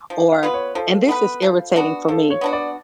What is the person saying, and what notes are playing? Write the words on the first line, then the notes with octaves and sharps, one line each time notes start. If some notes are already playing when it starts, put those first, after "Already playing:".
or and this is irritating for me,
F3
F5
B3 F4 B4
C#5
F3 A4
B3 F4 B4
F3
B3 D4 F#4
F3 A4
C#5
B3 D4 F#4
D5